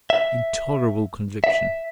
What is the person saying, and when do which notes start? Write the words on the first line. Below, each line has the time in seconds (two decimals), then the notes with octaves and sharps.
Intolerable conviction!
0.10 E5
1.44 E5